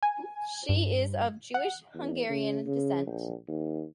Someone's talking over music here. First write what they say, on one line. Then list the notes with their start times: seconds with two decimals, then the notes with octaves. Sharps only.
She is of Jewish Hungarian descent.
0.03 G#5
0.69 G2
1.54 F#5
1.94 E2
2.29 C#3
2.67 C#3
3.07 A#1
3.48 D#2